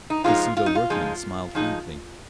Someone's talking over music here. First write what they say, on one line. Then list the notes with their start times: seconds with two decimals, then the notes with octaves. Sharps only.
The pseudo-workman smiled frankly.
0.10 D#4
0.24 F3 G#3 D#4 F4
0.57 F4
0.66 D#4
0.75 F4
0.90 F3 G#3 D#4
1.55 F3 G#3 D#4